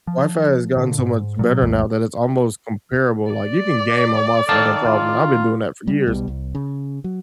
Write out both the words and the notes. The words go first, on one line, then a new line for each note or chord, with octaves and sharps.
Wi-Fi has gotten so much better now that it's almost comparable like, you can game on Wi-Fi, no problem, and I've been doing that for years.
F3
A#2 D3
G#2
A#2 F#3
B1 F2 E3 G#3
D5
D#3 A4 F5 A5
F4
G3 B3 C#4
B1 B2 G3
C2
C#3
F#3